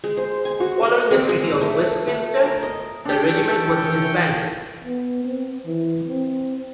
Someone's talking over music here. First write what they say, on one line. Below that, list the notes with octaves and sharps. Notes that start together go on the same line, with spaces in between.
Following the Treaty of Westminster the regiment was disbanded.
G#3
C5
G#5
F#4
D#5
C4
G#3
A#5
A3
A3
A#4
D#5
C#4 D4 G4 A4 G5
E3
B3
C4
E3
C4